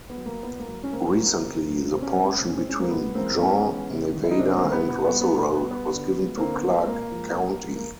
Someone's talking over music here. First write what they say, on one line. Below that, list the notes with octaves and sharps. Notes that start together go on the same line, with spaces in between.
Recently, the portion between Jean, Nevada and Russell Road was given to Clark County.
B3
F#3
A#3
A#2 B3
A#3
F#3
C#4
C#3 A#3 C4
F#3
C#3
F#3
B2 C4
C#4
G#3 C4
C#4
C4
B2
C#4
C4
G#3 C#4
A#3 C4
A2 B3
E3 G#3 A#3 C4
A2 B3 C#4
E3 G#3
C3
D#3 G3
E4
D#4
C3 C4 D4
A#3 C4
D#3 G3
B3
B2 B3
B3
G3
B3
B2 B3
B3
G3
B3
D3
F3 G#3
D3 A#3 C4
B3
F3 G#3
A#3 C4
A#2 A#3
F3 G#3
A#2
F3 G#3
A#3